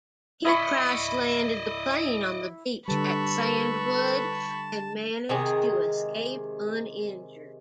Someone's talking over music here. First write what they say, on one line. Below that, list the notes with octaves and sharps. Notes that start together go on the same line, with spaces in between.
He crash-landed the plane on the beach at Sandwood, and managed to escape uninjured.
E4 D5 D#5 B5 C#6
D3 G3 A4 B4 A5 B5 C#6
C3 D#3 G#3 G#4